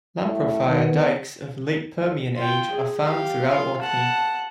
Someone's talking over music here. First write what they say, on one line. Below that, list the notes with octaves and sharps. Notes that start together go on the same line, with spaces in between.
Lamprophyre dykes of Late Permian age are found throughout Orkney.
A2
D#3 B3
F4 G5
G#4
G4 F5
F4 F5
F#5 A5